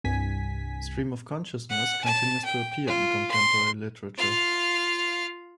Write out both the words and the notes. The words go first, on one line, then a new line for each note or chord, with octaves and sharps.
Stream of consciousness continues to appear in contemporary literature.
C2 G2 G#5 B6
F#5
A5
G5
F4
C6
F4 F5